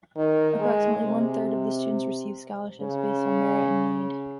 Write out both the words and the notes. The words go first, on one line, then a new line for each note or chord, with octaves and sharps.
Approximately one third of the students receive scholarships based on merit and need.
D#3
G#3
C3
C#3